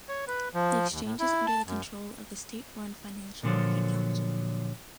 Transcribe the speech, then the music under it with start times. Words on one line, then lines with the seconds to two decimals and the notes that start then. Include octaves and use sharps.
The exchange is under the control of the state-run Financial Market Council.
0.09 C#5
0.27 B4
0.54 F3
0.92 D#2
1.04 A2
1.20 E4
1.47 A5
1.66 F#2
3.43 A#2 D3 F3 F#3